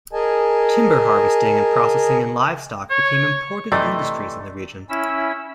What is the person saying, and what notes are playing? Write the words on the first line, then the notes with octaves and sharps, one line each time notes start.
Timber harvesting and processing and livestock became important industries in the region.
G#4 A#4 D#5 G#5 A5
C#5
C3 E3 A3 D5 D#5
C#4 E4 E5 E6